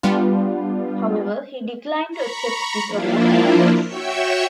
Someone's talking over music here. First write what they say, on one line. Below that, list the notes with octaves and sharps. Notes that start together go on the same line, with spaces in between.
However, he declined to accept this award and others.
G3 B3 D4 F4
A#5 B5 C#6
F3 A#3 D4 E4 F4
F#4 C#5 E5 G5 C#6 E6